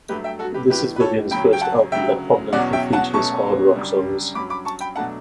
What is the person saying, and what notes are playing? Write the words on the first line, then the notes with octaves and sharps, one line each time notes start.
This is Vivian's first album that prominently features hard rock songs.
G2 F#3 A3 G4 B4
E5 G5
F#4 A4
G4 B4
A2 E3 B3 D4 G4 B4
B4
A4 C#5
F#2 C#3 F#3 C#4 G5 B5
G5
F#5 A5
D2 C#3 F#3 E5 G5
E2 B2 F#3 C#4 D5 F#5
E5 G5
F#5 A5
B2 F#3 A3 C#4 A5 C#6
F#2 C#3 G3 D4
G2 F#3 C#4 B5 D6
B5 D6
A5 C#6
G5 B5
B2 F#3 A3 D4 F#5 A5